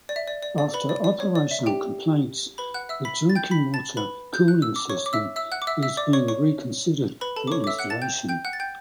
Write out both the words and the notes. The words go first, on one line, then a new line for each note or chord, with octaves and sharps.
After operational complaints the drinking water cooling system is being reconsidered for installation.
D5
E5
D5
D5
D5
B4 B5
D5
D5
C#5
D5
E5
G4 G5
B4 B5
F#5 F#6
E5 E6
B5 B6
A6
G5 G6
B5 B6
A5 A6
B4 B5
G6
F#6
E6
D6
C#5 C#6
D6
E5 E6
E5 E6
F#5 F#6
D6
E5 E6
E5 E6
D5 D6
C#5 C#6
C#5 C#6
B4 B5
A4 A5
D6
C#5 C#6
D6
E5 E6
F#5 F#6
A5 A6
G5 G6
G5 G6
F#5 F#6
A6
G5 G6